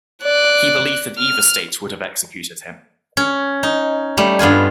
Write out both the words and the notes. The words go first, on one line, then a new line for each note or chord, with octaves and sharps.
He believed that either state would have executed him.
D5 F#6
F6
C#4
D#4
G3 A3
G2 B3 F4 G#5